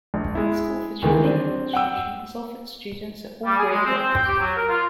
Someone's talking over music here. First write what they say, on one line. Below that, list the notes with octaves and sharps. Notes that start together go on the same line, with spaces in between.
School for Children admission is offered to students at all grade levels.
A#1
G#3 E4
D2 D#3 E3
C4 D4
F#5 G5 E6
G3
G#4
G#3
C4
C4
G5
G4
F#3
A#4
F4